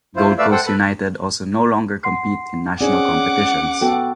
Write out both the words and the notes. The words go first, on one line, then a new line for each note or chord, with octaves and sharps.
Gold Coast United also no longer compete in national competitions.
E4 F4 C5
A3 B4 D5 E5 F5 E6
A4 C5 F#5 G5
A4 B4 B5
F#5 C6 C7
C4 C#4 G#4 D5 F#5 D6
B3 F#4 A4 G5